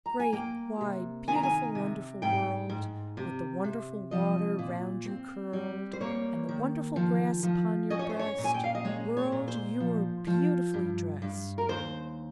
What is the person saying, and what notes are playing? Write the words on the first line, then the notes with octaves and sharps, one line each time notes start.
"Great, wide, beautiful, wonderful World, With the wonderful water round you curled, And the wonderful grass upon your breast, World, you are beautifully drest!"
A#5
G#5
A#3 G5
C3
D#3 G#5
A#5
G#5
C3
G#2 G5
G#2
C3
C3
F3 D#5
A#2
C4
G3
C5
A#3 C#5
D#3
F3
F3
C#4 D#5
C#5
C5
C#5
A#2
G#5
G5
F5
D#5
G#3 C#5
C#5
A#2
C5
F3
F3
G2
G2
A#4
D#2 C5